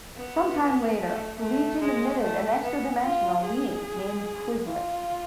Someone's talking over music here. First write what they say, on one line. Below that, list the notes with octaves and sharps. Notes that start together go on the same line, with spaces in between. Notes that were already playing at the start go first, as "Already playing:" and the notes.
Some time later, the Legion admitted an extra-dimensional being named Quislet.
B3
A3
A3
G#3
A3
B3
F4
G#4
F4